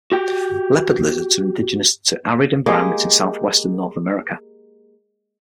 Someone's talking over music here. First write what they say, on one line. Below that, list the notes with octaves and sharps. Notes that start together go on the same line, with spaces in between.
Leopard lizards are indigenous to arid environments of southwestern North America.
F#4 G4 G5
G#3 A#3 G4 D#5